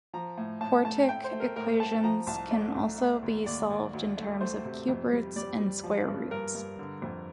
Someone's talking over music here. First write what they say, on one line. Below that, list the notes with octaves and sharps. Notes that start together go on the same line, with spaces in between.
Quartic equations can also be solved in terms of cube roots and square roots.
F3 A#5
A2
A2 A5
A3 A5
A2 G5
C5
A3
A#4
A2 A#4
A2 A5
F3 A#5
C2 A5
A3 D5
C2
A3
D#2
D#2 D5
D#2
D2
A3
A3 C5
C3
F2
G3
G3 D5
G3
F3
G2
G2 A#4
G2
D3
F2